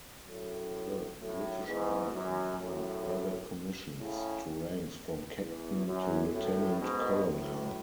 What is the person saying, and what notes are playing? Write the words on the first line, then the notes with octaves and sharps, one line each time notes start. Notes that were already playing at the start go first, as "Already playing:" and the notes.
The British Army confined brevet commissions to ranks from captain to lieutenant-colonel.
F#2 A2
F#2 A2
E2 G#2
F#2
F#2 A2
A2 C#3
E2
F#2
F#2 A2
G#2 B2
F#2 A2